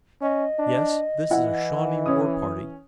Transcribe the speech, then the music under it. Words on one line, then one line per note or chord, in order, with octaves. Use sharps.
Yes, this is a Shawnee war-party.
C#4 D#5
D4
E3 E4 F#5
C#4 D#6